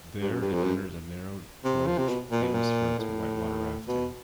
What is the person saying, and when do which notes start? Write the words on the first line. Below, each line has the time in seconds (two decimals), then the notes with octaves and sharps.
There it enters a narrow gorge, famous for its white water rafting.
0.21 G2
0.30 F#2
0.41 G2
0.52 F2
0.63 F#2
1.64 C3
1.87 F3
1.98 C3
2.09 B2
2.31 A#2
2.43 B2
2.54 A#2
2.99 A2
3.88 B2